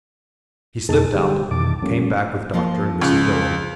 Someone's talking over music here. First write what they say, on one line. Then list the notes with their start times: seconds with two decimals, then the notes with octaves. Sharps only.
He slipped out, came back with Dr. and Mrs. Dillon.
0.89 F2 B2 A#3 D#4 G#4 A5
1.14 D3 G3 G4
1.51 F2 B2 D#3 E3 A5 D6
1.82 F3 G3 A3 A#3 C#4
2.54 F3 A#3 F4
3.02 C#2